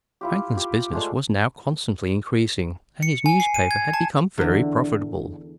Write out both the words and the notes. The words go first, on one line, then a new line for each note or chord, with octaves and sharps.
Franklin's business was now constantly increasing, and his newspaper had become very profitable.
E4 F4 G4
G4
G#3 A3 C5 D5
C#7
G#5
C7
D#7
G#6
A5
E2 D3